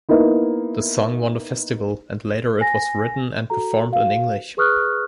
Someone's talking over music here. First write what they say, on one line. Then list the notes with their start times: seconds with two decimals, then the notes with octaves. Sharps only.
The song won the festival, and later it was written and performed in English.
0.09 A#3 B3 D#4 E4
2.61 G#5 A#6
3.50 F#4 A4 A#5
3.92 F#4 F5
4.57 G#4 B4 C#6 D#6 F6 F#6